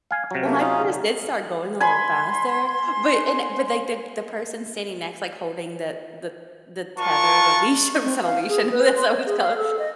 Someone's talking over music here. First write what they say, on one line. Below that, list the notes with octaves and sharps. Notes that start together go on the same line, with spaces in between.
Well, my horse did start going a little faster, but and but, like, the the person standing next, like, holding the the the tether the leash, I mean it's not a leash. And who that's what it's called.
F5 G#5
C3 F#3
A3 A#3
C#4 D#4 F4
D3
G#5 B5 C6
D4 F4 F#4 A#4 A5 C#6
C4
F5
G#4
B4
C6
C#5
G#4
F5
A4
D#5